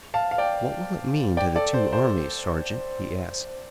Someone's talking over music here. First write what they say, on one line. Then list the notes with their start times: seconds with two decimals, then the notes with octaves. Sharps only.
"What will it mean to the two armies, sergeant?" he asked.
0.14 F5 A5
0.31 F5
0.38 D5 G5
1.37 D5 G5
1.55 A4 D5
1.74 C5
1.93 C5